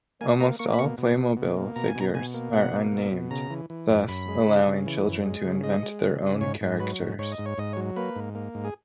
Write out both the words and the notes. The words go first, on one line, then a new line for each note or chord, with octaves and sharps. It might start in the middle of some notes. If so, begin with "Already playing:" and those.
Almost all Playmobil figures are unnamed, thus allowing children to invent their own characters.
A#3 G#5
A#3 A#5
A#3 C#6
B5
B2 C#6
B2
B2
B2
A#3
B2 A#5
G#5
B2
A#5
B2 G#5
A#3
B2 F#5
A#3
B2
B2
C#3 A#5
E3
E3
F#2
F#2 B5
G#3
C#3
C#3
E3
F#2
G#3
C#3
G#3 D#5
G#3
C#3
C#3
G#2 C#5
G#2
F#3 B4
G#2
G#2 C#5
D#5
G#2
C#5
G#2 D#5
C#5
F#3
A#3 B4
G#2
A#3
G#2
G#4